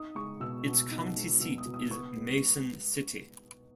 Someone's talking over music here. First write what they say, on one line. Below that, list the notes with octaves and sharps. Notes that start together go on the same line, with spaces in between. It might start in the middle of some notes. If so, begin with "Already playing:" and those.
Its county seat is Mason City.
Already playing: D#4 D#6
G#3 C#6
B2 E6
B2
D#4
G#3
B2 E6
D#6
B2
D#6
B3 C#6
G#3